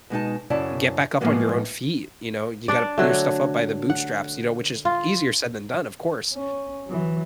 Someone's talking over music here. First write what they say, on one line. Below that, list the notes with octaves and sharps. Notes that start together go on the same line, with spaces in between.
get back up on your own feet, you know, you gotta pull your stuff up by the bootstraps, you know, which is easier said than done, of course,
B2 G#3 D#4 A5
F#2 C#3 E4 C#5 D5 A5
A2 F3 G#3 A#3 B3
D4 D5
D3 F#3 A3
F#5
F4
C#4
E3 F#3